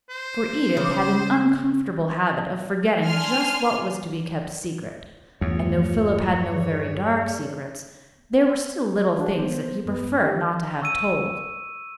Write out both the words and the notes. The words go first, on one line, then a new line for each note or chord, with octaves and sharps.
For Edith had an uncomfortable habit of forgetting just what was to be kept secret, and though Philip had no very dark secrets, there were still little things that he preferred not to have told.
C5
C#3 D6 F6
D4 G#5 C6 F6 C7
E2 G2 A3 F4 C#5
G#4 D5
D4 F4 F#4 G#4
A#3 B3 C5
G2 B3
G4 G5
C#6 E6 D#7